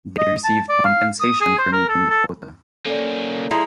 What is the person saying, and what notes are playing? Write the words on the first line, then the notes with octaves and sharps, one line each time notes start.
They received compensation for meeting the quota.
D#5
A5
D5
F5
D#6
G#4
C5
A#4
A4
A4
A#3 C#4 A4 D5
F3 G#3 E4 A#5